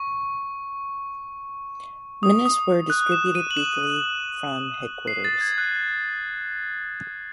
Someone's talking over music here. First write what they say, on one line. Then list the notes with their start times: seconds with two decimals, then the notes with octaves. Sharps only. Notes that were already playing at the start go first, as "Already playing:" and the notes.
Menus were distributed weekly from headquarters.
Already playing: C#6
2.23 D#6
2.46 D#6
2.90 F#6
3.12 E7
3.35 D#7
3.51 F#7
3.57 E7
5.07 C7
5.25 A6
5.41 G#6
5.58 F#6